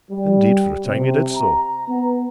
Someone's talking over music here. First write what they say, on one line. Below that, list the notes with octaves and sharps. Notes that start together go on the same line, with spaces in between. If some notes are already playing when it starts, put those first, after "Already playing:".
Indeed, for a time, he did so.
G3
C3
A#5
B3